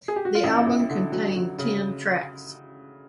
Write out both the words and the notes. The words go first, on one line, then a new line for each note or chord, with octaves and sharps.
The album contained ten tracks.
G#4
G4
F#4
F4
A1 E4
A1
D3
F#3
F#3
C#3